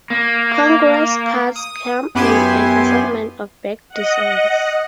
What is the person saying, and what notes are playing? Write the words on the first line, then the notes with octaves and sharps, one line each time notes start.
Congress cards come in an assortment of back designs.
A#3
D#6
F#2 B3 E4 G4 G#5 C6
D#5 F#5